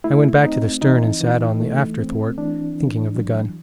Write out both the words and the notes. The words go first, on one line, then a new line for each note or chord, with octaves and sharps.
I went back to the stern and sat on the after thwart, thinking of the gun.
A3 E4
C4 D#4
E3 D#4
E3
A3
C4
E3 D4
E3
F#3